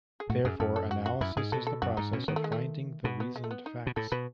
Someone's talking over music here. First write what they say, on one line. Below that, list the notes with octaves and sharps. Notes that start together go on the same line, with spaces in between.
Therefore, Analysis is the process of finding the reasoned facts.
G#4
A2 F#4
F#2 G#4
F#2 A4
A4
F#4
F#4
F#2 E4
G#2 G#4
B2 A4
A4
F#2 F#4
G#2 D#4
B2 C#4
D#3 B3
A3
G#3
A3
B2 B3
B3
G#3
A3
B3
D#4
B2
A2 A4
B2 B4